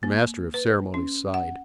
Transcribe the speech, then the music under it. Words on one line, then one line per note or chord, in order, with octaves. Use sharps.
The Master of Ceremonies sighed.
A#3
B4
C#4
F#5